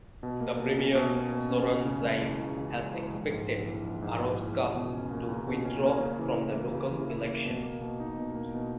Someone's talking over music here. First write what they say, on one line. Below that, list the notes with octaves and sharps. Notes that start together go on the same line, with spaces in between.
The premier Zoran Zaev has expected Arovska to withdraw from the local elections.
B2
A#3
B2
C#4
B2
A#3
B2
C#4
C#2
C#3
G#3
E3
C#2
C#3
G#3
E3
A#1
G#2
A#1
E3
A#1
G#2
A#1
E3
C#2
B2
C#4
A#3
C#2
B2
C#4
A#3
C#3
E3
E4
A#3
C#3
E3
E4
A#3
B2
A#3
B2
D#4
B2
A#3
B2